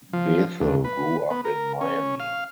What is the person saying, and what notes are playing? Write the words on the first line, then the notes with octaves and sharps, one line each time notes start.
Bethel grew up in Miami.
F3
D2
B4
B3
A#4
C#4
F5